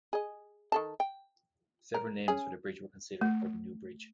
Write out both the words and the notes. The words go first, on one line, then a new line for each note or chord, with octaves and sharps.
Several names for the bridge were considered for the new bridge.
G#4 D#5
D#3 A4 A5
G5
A#4
C#4 G#4
A3